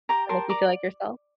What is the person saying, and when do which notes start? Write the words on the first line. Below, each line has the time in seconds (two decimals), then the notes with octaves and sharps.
that make you feel like yourself?
0.09 G4 A#5 D6
0.29 A#4 A5 C6
0.49 D5 A#5 D6